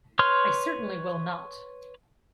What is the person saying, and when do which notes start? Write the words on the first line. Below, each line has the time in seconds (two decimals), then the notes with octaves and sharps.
I certainly will not!
0.19 B4 C#5 C6 F6